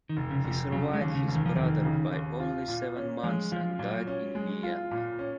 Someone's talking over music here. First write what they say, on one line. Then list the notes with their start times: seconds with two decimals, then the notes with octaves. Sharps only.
He survived his brother by only seven months and died in Vienna.
0.09 D#3
0.17 F1
0.31 C#3
0.44 F1
0.51 F3
0.72 C#3 F#3
0.94 G#3
1.01 D#2
1.15 C#3
1.28 F1
1.35 D#3
1.46 F3
1.56 F1 D#3
1.84 C#3
2.12 D#2
2.40 F4
2.68 A#2
2.96 C#4
3.23 F3 G#3
3.52 F3 F4
3.79 A#2 F#3
4.07 C#4
4.35 G#3
4.63 F4
4.91 A#2
5.19 C#4